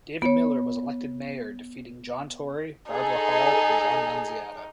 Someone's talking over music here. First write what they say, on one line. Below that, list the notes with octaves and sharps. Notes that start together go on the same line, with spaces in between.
David Miller was elected mayor defeating John Tory, Barbara Hall and John Nunziata.
B3 C#5
D#4 G#4 A4